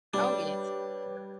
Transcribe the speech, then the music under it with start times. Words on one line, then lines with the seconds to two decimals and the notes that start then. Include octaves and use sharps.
Oh, yes.
0.14 G3 D4 B4 C#5